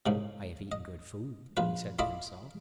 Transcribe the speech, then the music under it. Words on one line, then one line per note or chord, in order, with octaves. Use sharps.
"I have eaten good food," he said to himself.
C2 G#2 C#3
D#5
A#1 F4 B4
E4 F4 A4 D5 D#5 B5